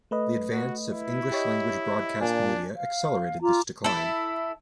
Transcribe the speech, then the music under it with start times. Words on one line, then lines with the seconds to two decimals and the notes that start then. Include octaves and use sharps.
The advance of English-language broadcast media accelerated this decline.
0.11 A3 B4 D#5
0.53 F#4
0.89 E4
1.32 G4 C#5 D#5
2.21 A#2 D4 G#5
2.77 F5
3.42 F4 A#5 D6
3.84 E4 A4